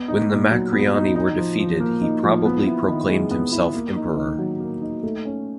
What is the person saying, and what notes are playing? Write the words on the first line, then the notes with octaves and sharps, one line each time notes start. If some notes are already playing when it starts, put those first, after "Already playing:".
When the Macriani were defeated he probably proclaimed himself emperor.
Already playing: B3
D#4
A#2
F#3
B3
D#4
D#4
F3
F3
A#3
D#4
F3
B3
E4
D#3
G#3
B3
E4
A#3
D#4
D#3
F#3
A#3
D#4
A3
C#4